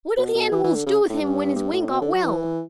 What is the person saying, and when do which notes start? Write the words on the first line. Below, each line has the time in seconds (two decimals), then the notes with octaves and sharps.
"What did the animals do with him when his wing got well?"
0.18 B2
0.34 B2
0.52 E3
0.64 E3
0.75 D3
0.86 C#3
1.09 A2
1.21 G2
1.56 G2
1.73 A2
1.90 B2
2.01 D3
2.13 F#3
2.25 E3